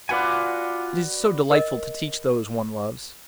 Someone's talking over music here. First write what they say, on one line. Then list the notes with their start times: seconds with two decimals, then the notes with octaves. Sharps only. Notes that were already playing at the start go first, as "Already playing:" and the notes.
It is so delightful to teach those one loves!
0.09 F4 F#4 B4 D5 F#5 G#5
1.51 A#4 D#5